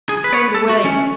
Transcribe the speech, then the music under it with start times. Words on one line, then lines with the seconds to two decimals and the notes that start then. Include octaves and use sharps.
He turned away.
0.09 G#4
0.24 B4
0.33 C#5
0.39 B4
0.55 A4
0.69 F#4
0.85 C#4